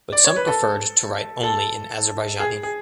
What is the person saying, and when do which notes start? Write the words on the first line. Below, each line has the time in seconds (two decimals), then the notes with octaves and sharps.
But some preferred to write only in Azerbaijani.
0.12 D5
0.24 C#5
0.36 B4
0.48 A4
1.43 A4
2.40 G#4
2.63 G#4